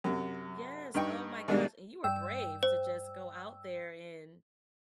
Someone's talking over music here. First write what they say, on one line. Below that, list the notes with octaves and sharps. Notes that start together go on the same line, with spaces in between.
Yes, oh my gosh, and you were brave to just go out there and
F#2 C3
G2 D#4 G5 C#6
G#2 B2 D#3 G3 G#3 D4
G2 G5 E6
C5